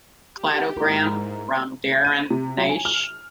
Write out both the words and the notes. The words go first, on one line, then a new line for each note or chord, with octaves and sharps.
Cladogram from Darren Naish.
G4
G#2 E4 A#4
D#7
C3
F#3
G#5
F6